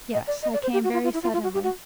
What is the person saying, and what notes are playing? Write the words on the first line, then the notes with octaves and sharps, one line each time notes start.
"Yes, I came very suddenly."
D#5
D5
D#5
D5
C5
G4
F#4
F4
F4
E4
F4
F4
F#4
G4
F#4